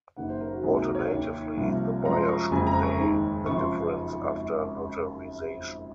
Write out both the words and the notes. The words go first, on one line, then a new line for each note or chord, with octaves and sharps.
Alternatively, the buyer should pay the difference after notarization.
F#1 F#2 D#3 A#3 F#5
C5
A#4
F#4
C#2 C3 D#3 F#3 A#3 G#4
A#4
C#5
D#2 D#3 A#3
C2 C3 F3 A#3
F#2 F3 G#3 A#5
C6
C#6
F#1 F2 C#3 G#3 G#5
A#5
C#6
D#2 D#3 G#3
G#1 F#2 C#3 F3 C#6
C6